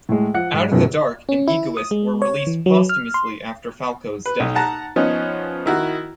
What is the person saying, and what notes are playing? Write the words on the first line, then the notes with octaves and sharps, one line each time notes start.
"Out of the Dark" and "Egoist" were released posthumously after Falco's death.
A2 G#3
F3 F#5 F#6 C#7
G#2
F#2 B2 D#3 F3 G#3
C#4
E4
D#6
G#3
C#5
E3
F#3
F6
C6
B4
B1
F#5 A5 A#5
F3 B3 C#4 D#4
D#3 E4 F#4